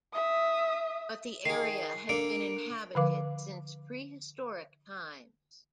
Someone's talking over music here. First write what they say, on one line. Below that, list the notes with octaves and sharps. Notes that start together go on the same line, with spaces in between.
But the area had been inhabited since prehistoric times.
E5 D#6
D#3 G#4 C7
A#3 D4 A4 D7
D3 F3 B4 F5 D6